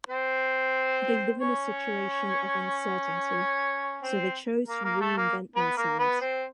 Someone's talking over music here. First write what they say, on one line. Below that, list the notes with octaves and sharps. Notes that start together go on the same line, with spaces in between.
They live in a situation of uncertainty so they chose to reinvent themselves.
C4 C5
C#4 C#5
C4 C5
A#3 A#4
A#3 A#4
A3 A4
A#3 A#4
B3 B4
A#3 A#4
B3 B4
C4 C5